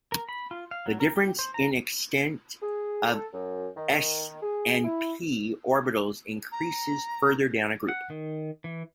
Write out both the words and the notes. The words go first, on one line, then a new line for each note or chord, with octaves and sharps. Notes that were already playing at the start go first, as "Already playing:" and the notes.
The difference in extent of s and p orbitals increases further down a group.
A#4
B5
F4
F5
F#3
A#4
G4
C5
A#5
G#4
A4
F#2
D#3
G#4
E4
A#5
F#5
D#3
E3